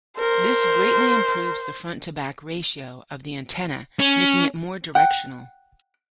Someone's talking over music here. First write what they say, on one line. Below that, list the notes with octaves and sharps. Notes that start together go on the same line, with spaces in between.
This greatly improves the front-to-back ratio of the antenna, making it more directional.
A#4 C5
C#4
F#5 G5